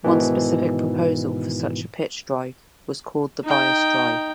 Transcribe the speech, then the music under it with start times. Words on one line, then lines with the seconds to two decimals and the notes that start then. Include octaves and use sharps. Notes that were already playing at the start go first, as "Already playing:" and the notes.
One specific proposal for such a pitch drive was called the bias drive.
0.04 G#2 B2 D#3 E3
3.44 D#4 G5